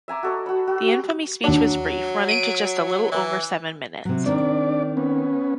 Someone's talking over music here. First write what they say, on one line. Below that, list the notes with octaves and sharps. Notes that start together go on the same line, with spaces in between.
The Infamy Speech was brief, running to just a little over seven minutes.
E5 G#5 A#5 D6
F#4 A4 D#5
F#4 B5
F#4
G4
D#2 F#3 D4
D7 D#7
E3
C3 F#3
D#3 C4 D4 D5
B3 C#4